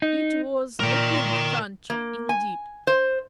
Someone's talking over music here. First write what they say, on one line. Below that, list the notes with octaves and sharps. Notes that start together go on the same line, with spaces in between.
It was a Pink Country, indeed.
D#4
A#2 A#4 G5
A#3
G#5
C5